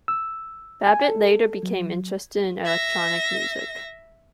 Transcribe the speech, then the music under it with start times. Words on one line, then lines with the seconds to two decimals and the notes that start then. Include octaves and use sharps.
Babbitt later became interested in electronic music.
0.08 E6
0.87 G#5
1.08 A4
1.63 F#3
2.65 E5 A#6